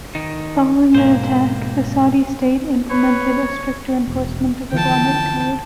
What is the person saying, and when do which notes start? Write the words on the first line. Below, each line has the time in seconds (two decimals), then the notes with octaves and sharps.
Following the attack, the Saudi state implemented a stricter enforcement of Islamic code.
0.15 D#3 D#4
0.94 G#2 B2 A#3 C5
2.90 B4 C#5
4.08 E1
4.72 D3 E3 F3 G5 A5